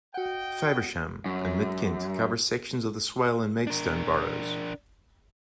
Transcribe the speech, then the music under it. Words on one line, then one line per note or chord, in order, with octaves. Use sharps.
Faversham and Mid Kent covers sections of the Swale and Maidstone boroughs.
F#4 D#5 F#5 G5
F#2
D4 A#4